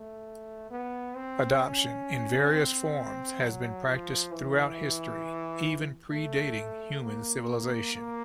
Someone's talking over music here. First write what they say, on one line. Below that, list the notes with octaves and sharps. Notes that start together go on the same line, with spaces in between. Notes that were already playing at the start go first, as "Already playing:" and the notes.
Adoption, in various forms, has been practiced throughout history, even predating human civilization.
Already playing: A3
B3
C4
C#4
C4
F#3
F3
E3
A3
A#3
A#3